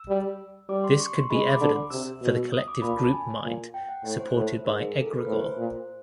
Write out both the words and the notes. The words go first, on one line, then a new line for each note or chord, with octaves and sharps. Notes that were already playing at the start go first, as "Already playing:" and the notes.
This could be evidence for the collective group mind supported by Egregore.
Already playing: E6
G3
G3 D6
C6
C#6
C6
G#3 B5
C6
D6
D3
C3 E6
B2
D#6
D6
A#2 B5
A5
G#5
A#2
G5
F#5
A2 C#5
C5
A2
G#2 A#4
G#4
A4
A#4
B4
A2 C5
C5
A#2